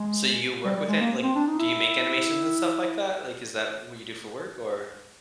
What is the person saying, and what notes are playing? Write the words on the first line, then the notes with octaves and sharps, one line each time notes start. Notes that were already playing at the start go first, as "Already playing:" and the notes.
So you work within like, do you make animations and stuff like that, like, is that what you do for work or
Already playing: G#3
G3
G3
G#3
A#3
C4
D4
D#4
E4